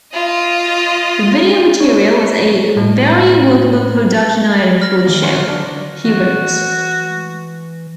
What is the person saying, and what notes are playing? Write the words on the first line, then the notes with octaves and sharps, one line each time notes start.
"The video material was a very workable production item for the show," he wrote.
F4 D#5
C#5
A2 G#3
F6 A#6
D#3 E3 A#3
C#4 F4 F#4
D3 F#3
D4
E3 F#4